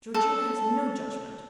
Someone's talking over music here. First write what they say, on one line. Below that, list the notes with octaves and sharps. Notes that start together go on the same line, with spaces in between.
Georgina has no judgment.
A4